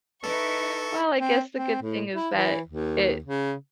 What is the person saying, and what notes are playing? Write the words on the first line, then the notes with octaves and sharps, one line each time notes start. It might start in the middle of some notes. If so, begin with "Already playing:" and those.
Well, I guess the good thing is that it
D#4 E4 A4 B4 C#6
C4
C4
A2
E4
E3
D#2
C#3